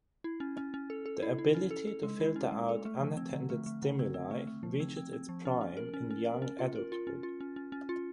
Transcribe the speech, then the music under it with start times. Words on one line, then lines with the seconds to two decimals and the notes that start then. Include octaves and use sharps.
The ability to filter out unattended stimuli reaches its prime in young adulthood.
0.24 E4
0.40 C#4
0.57 C#4
0.74 C#4
0.90 A4
1.06 A4
1.23 E4
1.39 E4
1.54 C#4
1.71 A4
1.87 A4
2.03 G#3
2.20 E4
2.36 C#4
2.52 G#3
2.69 A4
2.85 A3
3.01 F3
3.17 C4
3.34 D3
3.50 A3
3.66 A3
3.82 D3
3.99 C4
4.14 C4
4.31 A3
4.47 A3
4.63 F3
4.80 C4
4.97 C4
5.13 C4
5.29 F3
5.45 C#4
5.61 C#4
5.77 A#4
5.94 C#4
6.11 C#4
6.26 A#4
6.42 C#4
6.59 F4
6.75 A#4
6.92 F4
7.07 C#4
7.23 F4
7.40 C#4
7.56 C#4
7.72 C#4
7.89 F4